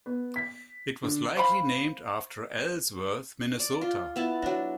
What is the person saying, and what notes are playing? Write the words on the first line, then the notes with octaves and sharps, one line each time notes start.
It was likely named after Ellsworth, Minnesota.
B3
B6
D3
C5 F5 B5
D5
F4
B3 E4 A5
F#3 D4